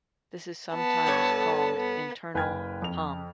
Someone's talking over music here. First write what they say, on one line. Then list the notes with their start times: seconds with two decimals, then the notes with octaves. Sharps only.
This is sometimes called internal Hom.
0.75 B3 A5
1.07 G2 A4 C#5
1.77 B3
2.34 F#1 B4 G5 G#5 F6 G#6
2.82 F2 F7